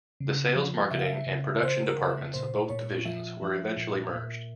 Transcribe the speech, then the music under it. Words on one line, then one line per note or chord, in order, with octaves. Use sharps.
The sales, marketing, and production departments of both divisions were eventually merged.
C#3
F3
C#3 E5
F5
E5
C#3
C#3 C5
A#4
C#3
E5
A#2 C5
A#2 C#5
F3 E5
F3
A#2
A#2